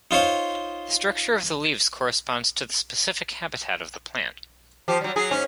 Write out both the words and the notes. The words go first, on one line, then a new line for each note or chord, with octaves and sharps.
The structure of the leaves corresponds to the specific habitat of the plant.
D#4 F4 C5 C#5 F5
F3 G4
F#3 G3
F#3 G#4
G#2 C#4